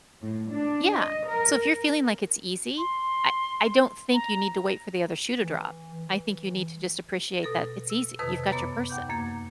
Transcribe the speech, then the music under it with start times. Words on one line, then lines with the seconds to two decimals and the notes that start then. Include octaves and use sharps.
yeah. So, if you're feeling like it's easy, I I don't think you need to wait for the other shoe to drop. I think you need to just appreciate that it's easy, you've got your person,
0.21 A2
0.51 D4
0.95 D#5
1.28 A#4
2.78 C6
4.14 A#5
5.42 E3
6.07 E3
7.43 B2 A4 A#6
7.90 E6
8.19 F2 C3 D#3 B4 D#6 E6
8.52 F#2 B3 C#5 D6
8.89 D#2 F#5 D6 G6
9.10 F#2 A#3 G#6